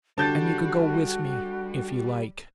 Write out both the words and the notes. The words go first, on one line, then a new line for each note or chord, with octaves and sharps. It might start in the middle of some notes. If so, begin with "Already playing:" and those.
And you can go with me, if you like.
D3 G3 F#4 A5 G6 A6